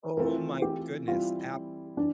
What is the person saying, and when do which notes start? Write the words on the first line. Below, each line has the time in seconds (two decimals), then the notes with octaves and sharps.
Oh my goodness. Absolutely.
0.17 E3 A3 C4 F4 A4 A#4
0.62 G4
1.07 E3 G3 C4 E4 F4
1.97 E3 D4